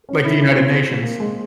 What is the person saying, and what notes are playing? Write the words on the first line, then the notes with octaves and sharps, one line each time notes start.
like the United Nations.
C#4
E4
C#4
C4
A#3
G#3